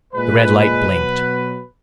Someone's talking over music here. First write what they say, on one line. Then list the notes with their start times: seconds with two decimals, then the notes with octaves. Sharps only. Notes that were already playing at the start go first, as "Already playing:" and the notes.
The red light blinked.
0.14 A#2 G#3 B4
0.88 B2 F#3